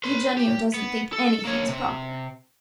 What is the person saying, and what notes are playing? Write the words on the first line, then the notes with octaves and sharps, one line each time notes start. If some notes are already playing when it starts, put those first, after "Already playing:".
"Eugenio doesn't think anything's proper."
B4 C6
G4
B3
A4
A#3 C#5
C3